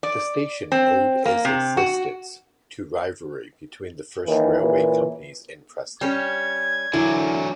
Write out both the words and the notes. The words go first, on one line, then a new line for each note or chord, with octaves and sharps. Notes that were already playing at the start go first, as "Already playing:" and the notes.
The station owed its existence to rivalry between the first railway companies in Preston.
D5
C4
A#3
C3
F#4
D#2 E3
A#2 C#3 E3
G3 C#4 G#6
D3 E3 F#3 E4